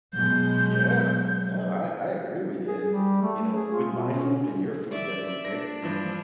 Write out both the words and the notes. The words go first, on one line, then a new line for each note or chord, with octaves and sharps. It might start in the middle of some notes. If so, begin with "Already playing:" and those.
Yeah. No, I I agree with you, and, you know, with my food and your food that we picked,
B2 F#3 G#3 G6
G#4
G3
A3
G#4
F4
B2
C#4
D5 E5
D4 A#6
G2 E3 F3